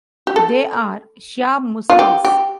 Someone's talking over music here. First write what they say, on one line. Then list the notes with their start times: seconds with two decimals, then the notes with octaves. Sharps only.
They are Shia Muslims.
0.27 G4
0.36 A4
1.90 F4
1.99 G4
2.25 G4